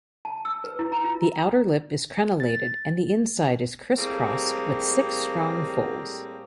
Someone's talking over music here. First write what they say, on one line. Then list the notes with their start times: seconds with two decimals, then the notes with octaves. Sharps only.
The outer lip is crenellated and the inside is crisscrossed with six strong folds.
0.25 A5
0.45 E6
0.64 B4
0.79 E4
0.92 A#5
1.04 F4
2.40 A6
3.98 A2 G3 A#3 C4 G4 G#4